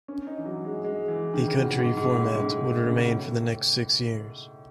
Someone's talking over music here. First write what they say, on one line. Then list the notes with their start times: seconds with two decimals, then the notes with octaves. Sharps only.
The country format would remain for the next six years.
0.08 C#4
0.27 D#4
0.38 E3
0.45 F#3
0.65 G#3
0.84 G#3
1.08 E3
1.34 D#3
1.48 C#3
1.59 B2
1.79 G#2
1.97 G#2
2.16 A2
2.35 G#2
2.84 C#3
2.91 B2
3.10 A2